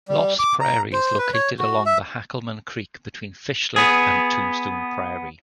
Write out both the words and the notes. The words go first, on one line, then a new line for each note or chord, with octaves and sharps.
Lost Prairie is located along Hackleman Creek between Fish Lake and Tombstone Prairie.
G3
D6
A#5
C5
B4
C#5
F#4
E5
B3 G#4